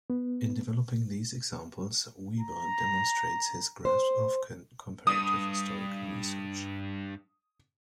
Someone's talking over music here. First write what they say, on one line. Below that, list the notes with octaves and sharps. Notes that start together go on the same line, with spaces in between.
In developing these examples, Weber demonstrates his grasp of comparative historical research.
B3
A#5
C5
G2 D#6